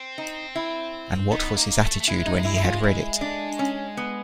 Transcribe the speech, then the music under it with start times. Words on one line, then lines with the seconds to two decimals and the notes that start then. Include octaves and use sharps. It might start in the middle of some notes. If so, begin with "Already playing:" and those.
And what was his attitude when he had read it?
Already playing: C4
0.18 D#4
0.55 E4
1.31 B3 D#4
1.56 A#3 D#4
1.82 A3
2.00 A3
2.07 G#3 E4
2.26 D#4
2.45 E4
2.57 E4
2.64 F4
2.83 E4
3.21 D4
3.59 C#4
3.97 B3